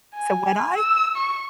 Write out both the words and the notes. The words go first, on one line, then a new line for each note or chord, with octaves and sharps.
So, what I
G#5
E6
C#6